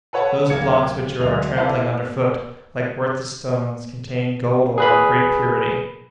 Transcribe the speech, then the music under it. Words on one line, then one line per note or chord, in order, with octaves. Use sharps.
"Those blocks which you are trampling under foot, like worthless stones, contain gold-ore of great purity."
A4 B4 C#5 F#5 A5 B5
D1 A#3 G#6 C#7
D2 F#3 G#3 D#5 F7
E4 A4 B4 C5 D5 F5
G#4 B4 B5